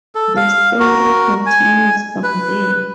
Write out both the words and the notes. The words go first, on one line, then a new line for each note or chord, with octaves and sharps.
The story continues from there.
A4
F5
F#4 A#4
G#5
B4